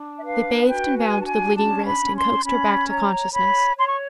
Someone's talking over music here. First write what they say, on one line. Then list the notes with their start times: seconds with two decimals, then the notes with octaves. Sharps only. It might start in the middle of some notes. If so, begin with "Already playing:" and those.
They bathed and bound the bleeding wrist and coaxed her back to consciousness.
Already playing: D4
0.19 E5
0.23 B4 F5
0.67 F#4 G5
0.97 G#5
1.11 D4
1.20 A5
1.26 G#5
1.55 C#4 A5
1.85 B5
2.00 C#4
2.15 C6
2.44 C#4 B5
2.88 C#5 A#5
3.32 C#5 B5
3.77 C#5 C6
3.86 C#6